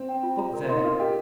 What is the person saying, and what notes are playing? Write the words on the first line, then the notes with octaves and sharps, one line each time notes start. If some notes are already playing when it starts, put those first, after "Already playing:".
But there!
Already playing: C4
G5
F4
A#5
A#4
C4
D#4 C6
F4 A#4
G4 D#5